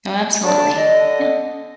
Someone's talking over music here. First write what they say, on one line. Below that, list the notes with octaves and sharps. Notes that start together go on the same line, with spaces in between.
Oh, absolutely. Yeah.
D3 G3 D4 D5 A5
D3 D#5